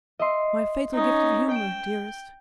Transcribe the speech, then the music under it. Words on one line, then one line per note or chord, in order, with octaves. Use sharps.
"My fatal gift of humour, dearest."
D#5 E5 C6
C#4 D#4
G5 D7 E7